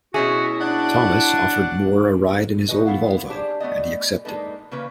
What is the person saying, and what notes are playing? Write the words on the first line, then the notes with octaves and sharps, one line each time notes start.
Thomas offered Moore a ride in his old Volvo and he accepted.
B2 C#4 E4 F#4 G#4
D4 F#5
D#4 F#4 G#4 B4 D#5
B3 E4 F5 F#5
D4 G4 G#4 C5 C#5
A3 B3 D5 D#5
G#3 A#3 D4 D#4 A4 B4
C#3 E3 A#3 C#4 B4